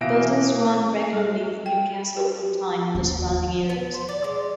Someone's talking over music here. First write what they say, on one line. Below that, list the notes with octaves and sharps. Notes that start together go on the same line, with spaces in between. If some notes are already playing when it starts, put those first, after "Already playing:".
Buses run regularly from Newcastle upon Tyne and the surrounding areas.
B2 E3 E5 F5 A#6 D7
G3
G5
G4
D#2 D4
B3
C5
D5
G#3